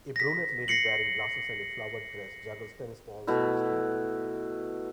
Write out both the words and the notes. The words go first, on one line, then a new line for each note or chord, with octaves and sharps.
A brunette lady wearing glasses and a flowered dress juggles tennis balls on the street.
A#6 B6
A#6 C7 C#7 F#7
B2 A3 E4